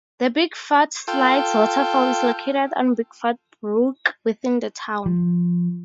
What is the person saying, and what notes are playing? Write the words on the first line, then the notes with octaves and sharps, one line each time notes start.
The Bickford Slides waterfall is located on Bickford Brook within the town.
F4 A4 G5
F3